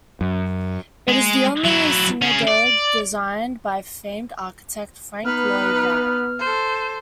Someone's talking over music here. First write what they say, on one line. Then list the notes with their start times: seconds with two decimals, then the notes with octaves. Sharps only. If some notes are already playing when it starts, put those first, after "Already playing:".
It is the only synagogue designed by famed architect Frank Lloyd Wright.
0.21 F#2
1.08 G#3
1.64 F#3 E4
2.22 C#4 G#4
2.48 D5
5.25 B3 D#4 B4 F6
6.40 A4 C5